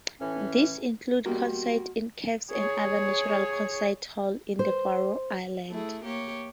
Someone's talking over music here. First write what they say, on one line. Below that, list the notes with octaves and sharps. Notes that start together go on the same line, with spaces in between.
These include concerts in caves and other natural "concert halls" in the Faroe Islands.
A2 E3 C#4
B2 G3 A#3 F#4
G#4 C#5
C5
A3 E4 G#4
A#3 G4 C#5